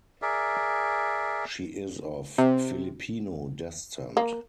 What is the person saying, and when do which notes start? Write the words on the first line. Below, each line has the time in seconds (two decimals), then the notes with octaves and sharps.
She is of Filipino descent.
0.22 G#4 A#4 D5 E5
2.38 C3
4.17 A#3